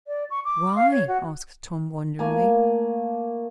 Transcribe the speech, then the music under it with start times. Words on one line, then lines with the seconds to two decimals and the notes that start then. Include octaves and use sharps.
"Why?" asked Tom, wonderingly.
0.07 D5
0.30 C#6
0.44 D6
0.76 F5
0.91 C#5
1.07 F#4
2.19 A3 A#3 G#5